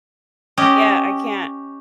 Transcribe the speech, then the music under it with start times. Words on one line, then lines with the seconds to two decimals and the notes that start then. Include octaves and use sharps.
yeah I can't,"
0.57 C#4 G4 D#5